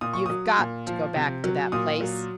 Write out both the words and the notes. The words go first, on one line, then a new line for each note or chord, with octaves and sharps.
"You've GOT to go back to that place?"
A#2 D#6
C#6
F#3 D#6
A#2
F3
C3
F#3
A#2 D#6
F#3